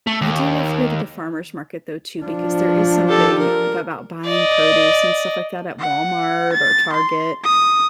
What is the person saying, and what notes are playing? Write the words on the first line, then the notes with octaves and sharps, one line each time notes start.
I do love to go to the farmer's market though too, because there is something about buying produce and stuff like that at Walmart or Target
A3
D#2
F3 D4
G4 A4
A#4
D5 D#5
F#5
A6
C6
D#6